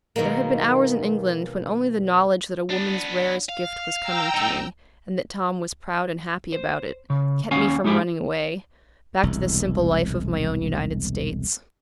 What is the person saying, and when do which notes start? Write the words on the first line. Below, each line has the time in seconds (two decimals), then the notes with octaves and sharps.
There had been hours in England when only the knowledge that a woman's rarest gift was coming to me, and that Tom was proud and happy about it, kept me from running away--back to the simple life of my own United States.
0.16 B2 D#3 F#3 G#3 A#3
2.70 B3 D4
3.49 F5
4.00 G5 A#5 E6
4.34 F#2 D#4
6.52 C5
7.10 C#3
7.51 D#2 C#4 F5 F#5 G#5
7.84 G#3 D#4 E4 G4 G#4
9.23 E1 C2